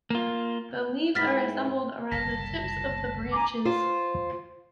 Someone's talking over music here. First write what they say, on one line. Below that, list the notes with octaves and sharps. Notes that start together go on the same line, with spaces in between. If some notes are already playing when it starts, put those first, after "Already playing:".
The leaves are assembled around the tips of the branches.
A#3 F4
G#2 B3 E4 F6 A6 B6
F#1 C2 D3 A5 A#6 B6
G#5 A#5 D6
F4 C5